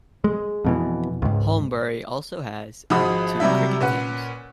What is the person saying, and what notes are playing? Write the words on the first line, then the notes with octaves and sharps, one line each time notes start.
Holmbury also has two cricket teams.
G#3
F2 B2 E3
C#2 G#2
G#1 F3 G#3 F#4 B5 D#6
C3 F#3 G3 E5
A#2 C#4 B4 F#5